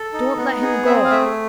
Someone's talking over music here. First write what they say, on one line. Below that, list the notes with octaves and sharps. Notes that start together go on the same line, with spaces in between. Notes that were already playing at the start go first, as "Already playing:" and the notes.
"Don't let him go."
Already playing: A4
D#4
B3
G#4
C4 E5
F5
A3 E5